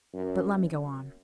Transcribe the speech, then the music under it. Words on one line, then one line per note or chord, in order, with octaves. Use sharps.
But let me go on.
F#2